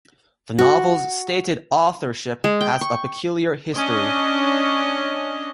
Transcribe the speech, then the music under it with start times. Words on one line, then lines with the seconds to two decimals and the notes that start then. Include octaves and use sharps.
The novel's stated authorship has a peculiar history.
0.59 F#4
2.44 G#3
2.61 G5
2.81 C#6
3.74 C#4 D4 D#5